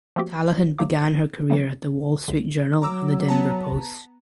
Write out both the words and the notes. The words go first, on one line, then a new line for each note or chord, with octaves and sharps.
Callahan began her career at the Wall Street Journal and the Denver Post.
F3 A3 A#3 C4 F#4 G4
F#3 A3 D#4 F5 D6
E3 F#3 A3 B3
C#2 D3
F#3 A#5 D6 E6
B3 A5 A#5